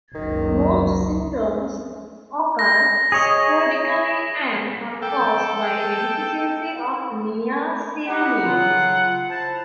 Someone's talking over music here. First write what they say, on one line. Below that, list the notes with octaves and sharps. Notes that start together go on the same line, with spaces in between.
Most symptoms occur sporadically and are caused by a deficiency of niacinamide.
F#1 C#2 D#3
A#6
G#4 C#5 D#5
A4 G5
D#4 E4 G4 F#5
C#3 F#3 F4
E4 C5 A5